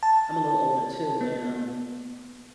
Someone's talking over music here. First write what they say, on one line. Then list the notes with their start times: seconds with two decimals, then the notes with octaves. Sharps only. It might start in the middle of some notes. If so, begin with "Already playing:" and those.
I'm a little older, too, and, um,
0.03 A5
1.21 B3